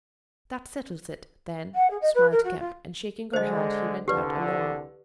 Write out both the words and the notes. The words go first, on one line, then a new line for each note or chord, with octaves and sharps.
"That settles it, then," smiled Kemp; and shaking her hand, he went out alone.
F#5
G#4
D#5
B4
A#4
F#4
F4
D3 G#3 C5 D#5
C2 D3 G4 B4 D5